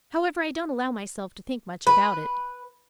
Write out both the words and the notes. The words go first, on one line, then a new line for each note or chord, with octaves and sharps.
However, I don't allow myself to think much about it.
B4